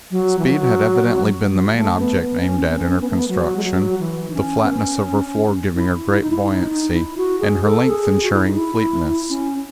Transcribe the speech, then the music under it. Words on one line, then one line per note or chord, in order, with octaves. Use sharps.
Speed had evidently been the main object aimed at in her construction, the flatness of her floor giving her great buoyancy, and her length ensuring fleetness.
F#3
E3
F#3
F#3
A3
B3
B3
C#4
B3
C#4
C#4
B3
A3
B3
F#3
G#3
F#3
E3
D#4
C#4
B3
C#4
E4
E4
D#4
E4
D#4
D#4
E4
F#4
G#4
A4
G#4
F#4
E4
D#4
E4
C#4